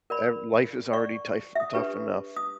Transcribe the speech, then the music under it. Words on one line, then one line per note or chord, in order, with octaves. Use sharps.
Ev life is already tife tough enough.
A#4 D5 B5
D5 C#6
E5 D#6
D4 G4 B4 C#6
D#6